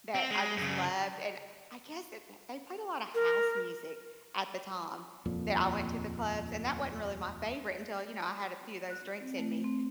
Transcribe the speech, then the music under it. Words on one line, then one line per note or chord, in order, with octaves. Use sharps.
that I just loved and I guess that that they played a lot of house music at the time that I went to the clubs and that wasn't really my favorite until, you know, I had a few of those drinks in me,
C4
G#3
F#2 C#3
A#4
D#1 F2 A#2
F#6
C4
A3
C4